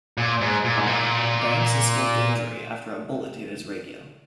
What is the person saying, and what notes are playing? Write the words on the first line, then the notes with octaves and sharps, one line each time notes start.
Banks escaped injury after a bullet hit his radio.
A#2
G#2
A#2
G#2
A#2